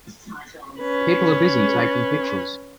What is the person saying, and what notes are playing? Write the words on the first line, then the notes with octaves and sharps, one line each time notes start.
People are busy taking pictures.
C#4 B4